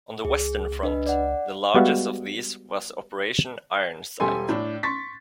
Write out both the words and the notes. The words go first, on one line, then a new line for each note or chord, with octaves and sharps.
On the Western front the largest of these was Operation Ironside.
C#2 G#4
D4 B4 D#5
D5 F#5
G3 G#3 B3 F#4 E5 F5
E1 G3 G4 A4 G#5 C6
A2 D4
C6 C#6 A6 B6